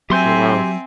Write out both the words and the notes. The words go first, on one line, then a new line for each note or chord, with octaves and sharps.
Oh, wow.
F#3 C4 G4 E5 G#5 C6 G6